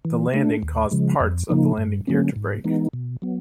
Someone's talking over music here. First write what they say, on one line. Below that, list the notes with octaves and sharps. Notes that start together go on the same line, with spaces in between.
The landing caused parts of the landing gear to break.
E3
A3 D4
D#2
C#3 F3 G#3
F2
C#3 F3 A#3 D#4
G2
D3 F#3 A#3 C#4
G#2
E3 G#3 B3 D#4
B2
F#3 B3